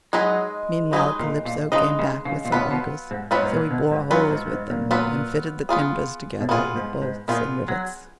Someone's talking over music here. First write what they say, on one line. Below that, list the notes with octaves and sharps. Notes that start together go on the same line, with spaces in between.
Meanwhile Calypso came back with some augers, so he bored holes with them and fitted the timbers together with bolts and rivets.
F#3 G#3 D#4 G#4 B4 D#5
F#3 G#3 D#4 G#4 B4 D#5
A#2
A#2
C#3 G#3 D#4 G#4 B4 D#5
C#3
C#3
A#2
B2 F#3 B3 F4 B4
B2
G#2
G#2 F#3 B3 F4 B4
G#2
A#2
B2
G#2
F#2 F#3 B3 F4 B4
G#2
F#2
G#2
A#2
F#3 B3 F4 B4
B3 F4 G#4
B2
A#2 B3 F4 G#4
G#2
G#2
A#2 B3 F4 G#4
F#3